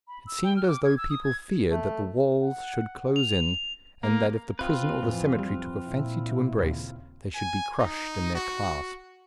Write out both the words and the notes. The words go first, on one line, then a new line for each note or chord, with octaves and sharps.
It seemed as though people feared that the walls should close in, and that if the prison or the cemetery took a fancy to embrace, they should be crushed in their clasp.
B5
E6
G5
F6
D6
G#6
E6
D#6
G#6
A3
F#5
F7
A#3
C3 C4 F4 B4
F2 A2 E3
F2 G3
A#2 E4
D#2 C#3
G#5
D#4
F#4